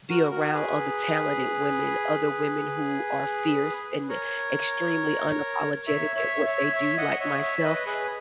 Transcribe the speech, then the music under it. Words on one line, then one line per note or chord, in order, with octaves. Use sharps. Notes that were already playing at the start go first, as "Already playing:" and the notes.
be around other talented women, other women who are fierce and extremely unapologetic at what they do, like myself.
F#4 A#4
F#4 A#4
G#4 B4
A#4 C#5
C#5 E5
C#5 E5
C#5 E5
C#5 E5
D#5 F#5
C#5 E5
C#5 E5
C#5
B4 D#5
G#4 B4